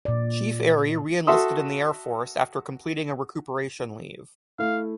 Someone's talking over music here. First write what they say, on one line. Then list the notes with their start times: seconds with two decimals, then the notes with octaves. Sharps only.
Chief Airey reenlisted in the Air Force after completing a recuperation leave.
0.05 A#2 D5
1.27 F#4 A4 E5 C6 D#6
4.59 A3 E4 F5